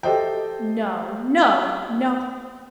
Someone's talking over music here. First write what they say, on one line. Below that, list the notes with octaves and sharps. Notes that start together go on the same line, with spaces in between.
No, no, no!
G4 A4 C5 D#5 E5 G5